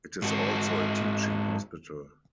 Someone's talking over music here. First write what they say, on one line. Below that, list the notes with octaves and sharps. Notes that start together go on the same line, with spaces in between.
It is also a teaching hospital.
G#2 F#4